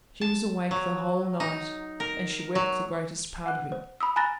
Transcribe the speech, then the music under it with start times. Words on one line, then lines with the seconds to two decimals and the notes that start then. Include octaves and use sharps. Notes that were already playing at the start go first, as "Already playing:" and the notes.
She was awake the whole night, and she wept the greatest part of it.
0.21 A5
0.71 F#3
1.40 D#4
2.00 A#4
2.55 F#3
3.46 F#5 F#6
3.72 C5
4.00 B5 D#6 E6
4.16 G#5 A#5 B5 F#6 A6 A#6